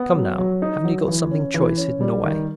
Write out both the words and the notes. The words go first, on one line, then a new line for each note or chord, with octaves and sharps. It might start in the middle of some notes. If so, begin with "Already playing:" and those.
Come, now, haven't you got something choice hidden away?'
Already playing: B3
F#3
F#3
D#4
F#3
E3
C#4
E3
C#4
G3
D#3